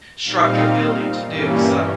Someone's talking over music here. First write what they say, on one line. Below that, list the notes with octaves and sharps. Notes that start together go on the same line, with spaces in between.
structure building to do so.
A#2 G3 C4 D#4 F5
G2 E3 G3 A#3 C#4